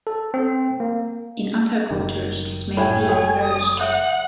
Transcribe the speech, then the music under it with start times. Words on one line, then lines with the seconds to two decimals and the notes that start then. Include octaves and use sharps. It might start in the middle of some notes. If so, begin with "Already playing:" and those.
In other cultures, this may be reversed.
0.07 A4
0.34 C4
0.80 A#3
1.90 F#1 D#3
2.77 A2 G5 G#5 B5
3.09 A4 C#5 G5
3.44 D#6
3.80 C#5 E5 F#5 F#6